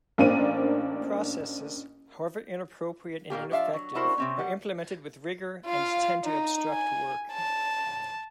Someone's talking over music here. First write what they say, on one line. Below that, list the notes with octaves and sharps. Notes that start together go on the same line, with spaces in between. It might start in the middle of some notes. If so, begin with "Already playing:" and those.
Processes, however inappropriate and ineffective, are implemented with rigor and tend to obstruct work.
A1 A#3 D4 C5 D#7
A#2 E3 A#3 G4
F3 D4 E5 F5
F#3
D4 E4 F#4 A#4 C5
C3 C4 C#4
G3 F#5
F4 F5
D#4
G#5
A5